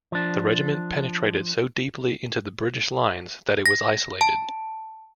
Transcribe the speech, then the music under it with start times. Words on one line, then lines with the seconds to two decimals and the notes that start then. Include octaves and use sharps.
The regiment penetrated so deeply into the British lines that it was isolated.
0.12 F3 D4
3.66 A#6
4.21 A5